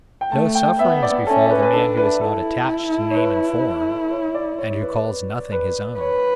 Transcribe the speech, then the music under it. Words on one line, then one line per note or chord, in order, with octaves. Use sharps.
No sufferings befall the man who is not attached to name and form, and who calls nothing his own.
G5
A3 A5
G5
B3 E5
D5
C#4 A4
B4
B4
D4 A4
B4
E4 A4
C#5
B4
C#5
D5
C#5
B4
B4
B4
B4 C#5